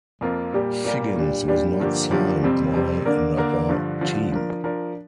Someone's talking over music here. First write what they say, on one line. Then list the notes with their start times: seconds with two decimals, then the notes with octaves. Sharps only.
Figgins was not signed by another team.
0.21 F2 F3 A#3 F4 A#4
0.53 A#2 G3 A#3 G4 A#4
0.85 A#2 G3 A#3 G4 A#4
1.16 A#2 G3 D4 G4
1.48 A#2 G3 D4 G4
1.80 G2 D3 F3 A#3 G4
2.11 G2 D3 F3 A#3 G4
2.43 F2 C3 G3 C4
2.74 F2 C3 G3 C4
3.06 D3 A#3 D4 A#4
3.37 D3 A#3 D4 A#4
3.69 G2 D3 F3
4.01 G2 D3 F3
4.32 F3 D4 A#4
4.64 F3 D4 A#4